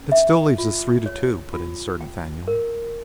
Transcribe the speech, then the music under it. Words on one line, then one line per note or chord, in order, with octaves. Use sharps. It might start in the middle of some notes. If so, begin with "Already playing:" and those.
"That still leaves us three to two!" put in Sir Nathaniel.
Already playing: C#4
E5
F4
C#5
F4
G5
A#4